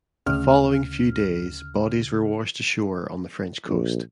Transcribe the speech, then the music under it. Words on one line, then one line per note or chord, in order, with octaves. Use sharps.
The following few days bodies were washed ashore on the French coast.
D2 C#3 F6
A#1